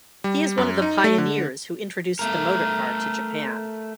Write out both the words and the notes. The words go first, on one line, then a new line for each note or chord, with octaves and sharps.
He is one of the pioneers who introduced the motor car to Japan.
G3
F#2
D#4
A3
D3
A3 A#4